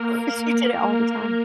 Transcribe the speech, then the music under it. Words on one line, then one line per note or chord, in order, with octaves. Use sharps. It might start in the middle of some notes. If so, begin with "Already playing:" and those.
Well, she did it all the time.
Already playing: A#3 A#4